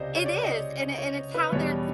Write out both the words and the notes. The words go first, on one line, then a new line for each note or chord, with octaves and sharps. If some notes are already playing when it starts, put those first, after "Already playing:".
It is, and it and it's how they're
Already playing: C#2 C3 C5 D5 D#5
C#5
D5
D#5
C#5
B4
E2 B2 G3 C#5